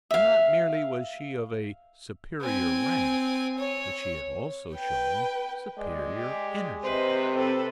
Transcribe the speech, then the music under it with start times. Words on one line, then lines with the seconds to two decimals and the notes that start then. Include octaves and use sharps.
And not merely was she of a superior rank, but she had also shown superior energy.
0.11 E5 F5
2.41 C4 G#5
3.58 C#5
4.75 B4 G5
5.78 G#3 D5
6.16 G4
6.84 C3 B4 C5 D#5
7.34 C4 A4 B4